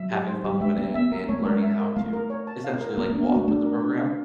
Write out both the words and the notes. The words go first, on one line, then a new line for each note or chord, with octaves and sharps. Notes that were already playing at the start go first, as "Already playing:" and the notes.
having fun with it, and learning how to, essentially, like, walk with the program.
Already playing: F#3 E5
G4
C5
G3 G4
G#3 E5
A#3 G4
B3 E5
A#3 A#4
A3 C#5
G#3 A#4
E5
A#4
A3 F5
A#4
C#5
A5
F5
A#4
A#3 A#4
A#3 D4
B3
F#4
A3
A3 D4
A#4
D4
F5